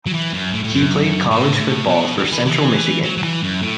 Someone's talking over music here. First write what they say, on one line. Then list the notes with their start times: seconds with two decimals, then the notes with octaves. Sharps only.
He played college football for Central Michigan.
0.06 F#3
0.14 E3
0.33 F#2
0.53 A2
0.64 A2
0.73 F#2
1.31 A2
1.60 A2
1.88 B2
2.17 E3
2.24 F#3
2.32 E3
2.45 E3
3.04 F#3
3.18 F#3
3.23 E3
3.43 F#2
3.61 A2